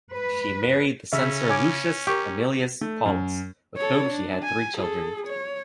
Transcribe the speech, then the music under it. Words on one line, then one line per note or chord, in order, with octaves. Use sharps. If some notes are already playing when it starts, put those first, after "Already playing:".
She married the censor Lucius Aemilius Paullus, with whom she had three children.
B4
C#3 C#4 E5
C#5 G#5 D6
G4 A#4 C#6
A3
F#2
A4 C#5
D4
G#5
G#4 A4
C#5